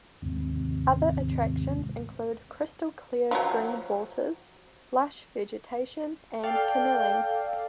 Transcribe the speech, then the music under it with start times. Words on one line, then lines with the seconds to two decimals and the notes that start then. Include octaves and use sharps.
Other attractions include crystal-clear green waters, lush vegetation and canoeing.
0.22 D#2 G#2 C3
3.31 F3 F#3
6.43 A4 D5 F5 G5